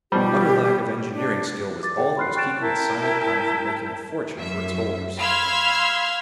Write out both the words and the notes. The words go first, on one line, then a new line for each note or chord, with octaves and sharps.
Utter lack of engineering skill was all that was keeping the Silent Pine from making a fortune for its holders.
B2 F3 G3 G4
D4
D6 A6
G#4 C#5 F#5 G5
B5 C6 F6 F#6 C7
G5 C#6 F#6 A6 D7 E7
E4 A#4 G5 A5
F#2 E5
F5 B5 C6 E6 F6 G#6